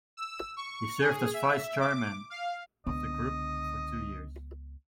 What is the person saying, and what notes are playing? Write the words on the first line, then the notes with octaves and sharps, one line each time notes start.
He served as vice-chairman of the group for two years.
E6
C#6
G#4
E5
D6
F5
C#2 D3 B3 D#5